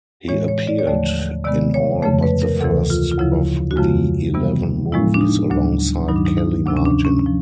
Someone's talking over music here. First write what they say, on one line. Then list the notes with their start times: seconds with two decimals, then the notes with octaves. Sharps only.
He appeared in all but the first of the eleven movies alongside Kellie Martin.
0.28 A2 E3 G#3 C#5
0.48 C#5
0.67 D5
0.79 C#5
0.87 D#2 D3 F3 A3 D5
1.44 C3 D#3 G#3 B3 D5
1.74 C#5
2.02 F2 C#3 F3 A3 C#5
2.22 B4
2.42 A#4
2.61 D2 C3 E3 A4
2.90 F4
3.12 F4
3.18 D2 C#3 F3 E4
3.71 F#4
3.76 F2 C#3 F3 G#3 F4
4.34 C3 E3 G3 B3
4.92 A2 F3 G#3 B3 E4
5.14 D4
5.21 D#4
5.50 D2 C#3 F#3 D4
6.08 G2 D#3 F#3 D#4
6.16 D4
6.25 D#4
6.38 D#4
6.66 D2 C3 F3 D4
6.77 C#4
6.85 D4
7.05 C#4
7.26 F3